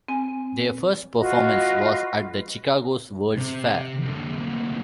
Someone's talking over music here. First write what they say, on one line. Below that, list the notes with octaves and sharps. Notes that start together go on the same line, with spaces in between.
Their first performance was at the Chicago's World's Fair.
C4 G#5
F4 F#4 B4 D#5
C3
F2 D3
D2 A#2